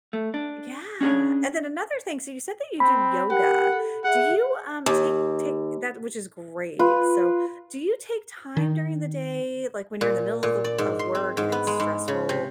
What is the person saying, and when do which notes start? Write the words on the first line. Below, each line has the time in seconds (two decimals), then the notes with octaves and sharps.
yeah! And then, another thing so you said that you do yoga? Do you, um, take take that which is great, so do you take time during the day, like, when you’re in the middle of the of work and it’s stressful,
0.13 A3
0.34 D4
1.01 C#4 D4 F#4 G#4 C#5
2.80 C4 B5
3.30 G4 A#4 F#5 G5
3.72 A4
4.04 G#4 E5 F#5
4.86 D#2
6.79 F4 B4
8.57 D#3
10.01 A#2
10.43 A#2
10.64 D5
10.78 G#2
10.99 C6
11.15 C4
11.37 G#2
11.52 B3
11.67 G#3
11.80 G#2
12.08 C#3
12.29 C3